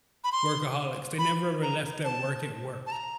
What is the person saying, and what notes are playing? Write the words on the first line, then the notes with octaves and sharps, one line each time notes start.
workaholics. They never ever left their work at work.
B5
C6
B5
A#5
A5
A5
A#5